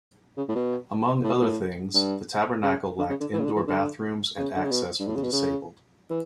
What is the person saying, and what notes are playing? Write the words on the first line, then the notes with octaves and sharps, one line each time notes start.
Among other things, the Tabernacle lacked indoor bathrooms and access for the disabled.
C#3
A2
B2
A2
B2
A2
G2
C#3
D3
C#3
D3
E3
C#3
D3
E3
D3
C#3
D3
C#3
B2
G2
A2
C#3
B2
C#3
E3